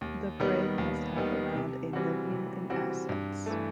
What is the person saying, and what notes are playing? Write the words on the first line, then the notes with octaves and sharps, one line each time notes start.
The parade must have around a million in assets.
D#2
D#3 G3 B3
D#2
D#3 G3 B3
C3
E3 G3 C4 F#4
C3
E3 G3 C4 F#4
G2
E3 A3